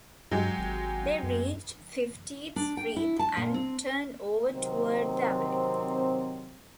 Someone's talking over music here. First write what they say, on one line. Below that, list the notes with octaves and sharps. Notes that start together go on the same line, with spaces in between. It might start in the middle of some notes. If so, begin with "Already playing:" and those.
They reached Fiftieth Street and turned over toward the Avenue.
G2 F#3 G#3 G4
G#1
F#2
D4
G5
E4
A5
A#2
C4
C3 D#3 F#3 C4